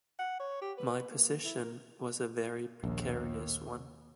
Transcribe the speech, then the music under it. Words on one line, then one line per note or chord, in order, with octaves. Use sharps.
My position was a very precarious one.
F#5
C#5
G4
B4
A#3
E4
A#4
A#1 D#2